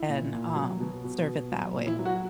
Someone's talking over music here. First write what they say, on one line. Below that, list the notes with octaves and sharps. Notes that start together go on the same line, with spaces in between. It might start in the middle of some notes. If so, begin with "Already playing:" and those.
and, um, serve it that way.
Already playing: E4
A#2
A#2
F#3
B2
B2
B2
F#3
A#2
E4
F#3
F#4